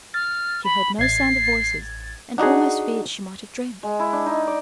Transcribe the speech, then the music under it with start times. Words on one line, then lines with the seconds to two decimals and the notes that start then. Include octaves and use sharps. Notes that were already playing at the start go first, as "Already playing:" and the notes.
She heard no sound of voices, and almost feared she might have dreamt.
0.14 F6 A6
0.64 B5
0.99 A1 G#6 A6 C7
2.38 D4 D#4 F#4 G#4 F#5
3.83 G#3
3.99 E4
4.13 D4
4.26 D#4
4.47 D5